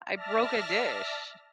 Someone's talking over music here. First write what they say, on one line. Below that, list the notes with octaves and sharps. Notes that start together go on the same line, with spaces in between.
I broke a dish.
D5 E5 A5 F6 A#6